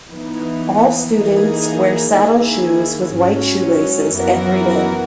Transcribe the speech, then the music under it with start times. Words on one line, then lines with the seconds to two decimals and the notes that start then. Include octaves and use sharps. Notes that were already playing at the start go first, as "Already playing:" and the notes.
All students wear saddle shoes with white shoelaces every day.
0.12 E3 B3 D#4
1.13 E3 A#3 D#4 G#4
2.14 D#3 A#3 E4 G#4
3.16 G#2 F#3 C#4
4.17 F#2 E3 B3 F#4 A#4